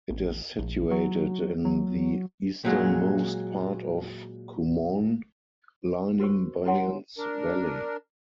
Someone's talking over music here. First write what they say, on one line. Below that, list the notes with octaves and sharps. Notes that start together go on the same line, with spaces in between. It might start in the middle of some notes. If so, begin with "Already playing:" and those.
It is situated in the easternmost part of Kumaun, lining Byans Valley.
A1
A#1
F#3
F#3
A#2 F#3 G#3
F#4 A#4 C5 C#6
E4 F#4 C#5 F#5 G#5 C6
D4 A#4